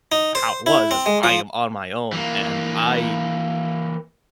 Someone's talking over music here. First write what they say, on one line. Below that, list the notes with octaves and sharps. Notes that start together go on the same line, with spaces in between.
how it was is, "I am on my own," a and I
D#4
C5
E4
C4
G#3
F3
E3 A#3